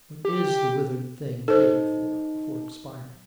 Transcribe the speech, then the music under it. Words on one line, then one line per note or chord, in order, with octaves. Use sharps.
What is the withered thing waiting for, before expiring?
G4
D#4 A4 C5